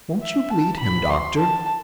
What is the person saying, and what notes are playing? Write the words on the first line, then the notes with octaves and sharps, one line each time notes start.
Won't you bleed him, doctor?
E5
A5
B5
C6
A5